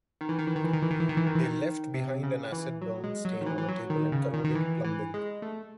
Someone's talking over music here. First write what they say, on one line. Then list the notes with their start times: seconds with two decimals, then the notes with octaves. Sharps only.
They left behind an acid burn stain on a table and corroded plumbing.
0.21 D#3
0.29 E3
0.39 D#3
0.47 E3
0.56 D#3
0.64 E3
0.73 D#3
0.82 E3
0.91 D#3
1.00 E3
1.09 D#3
1.17 E3
1.26 D#3
1.35 E3
1.44 D#3
1.94 C3
2.23 C#3
2.52 E3
2.82 F#3
3.04 G#3
3.25 F#3
3.41 D#3
3.46 E3
3.58 E3
3.68 F#3
3.90 D#3
4.12 C#3
4.34 D#3
4.44 D#3
4.55 E3
4.84 E3
5.14 G#3
5.42 A3